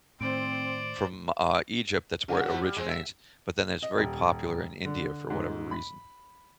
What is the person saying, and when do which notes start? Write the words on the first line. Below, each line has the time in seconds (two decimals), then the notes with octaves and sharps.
from, uh, Egypt- that's where it originates- but then it's very popular in India for whatever reason.
0.21 A2 D#3 C4 C5 D5 D7
2.28 C#3
2.46 F3 A3 F#4
2.62 G3
2.76 G#3 C4
2.88 E5
3.83 D#5
3.98 D#1
4.85 D3
5.30 G#2
5.71 B5